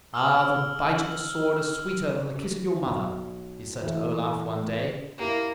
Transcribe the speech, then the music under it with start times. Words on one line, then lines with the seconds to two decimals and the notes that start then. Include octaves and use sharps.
"Ah! the bite of the sword is sweeter than the kiss of your mother," he said to Olaf one day.
0.14 E6 F6 F#7
2.86 B1
3.82 E3 A3
5.18 A#3 E4 G4